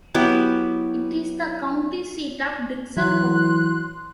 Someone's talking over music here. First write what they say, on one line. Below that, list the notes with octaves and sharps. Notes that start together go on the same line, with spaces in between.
It is the county seat of Dickson County.
F#3 B3 E4 G4
E3 F#3 C6 F#6